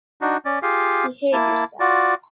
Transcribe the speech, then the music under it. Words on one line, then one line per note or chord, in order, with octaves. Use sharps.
Behave yourself!
D4 D#4 F#4
C#4 D5
F4 G4 G#4 F5
A#3 E4 A5
F4 F#4 D5